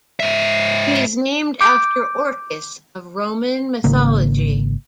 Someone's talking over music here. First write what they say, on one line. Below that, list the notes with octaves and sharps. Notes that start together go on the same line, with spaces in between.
He is named after Orcus of Roman mythology.
G#2 E5
D6 G6 D7
G#1 C#3 A#3